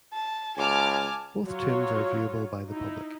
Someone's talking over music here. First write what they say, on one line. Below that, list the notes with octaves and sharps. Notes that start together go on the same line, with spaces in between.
Both tombs are viewable by the public.
A5
C#2 G#5 A5 D6 F6
F#3 F4 F#4 C#5
D#4 E4